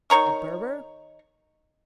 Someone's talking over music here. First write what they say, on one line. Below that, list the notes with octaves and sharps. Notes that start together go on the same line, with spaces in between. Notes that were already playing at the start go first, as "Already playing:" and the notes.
At Berber?
D#3 C#5 A#5 C#6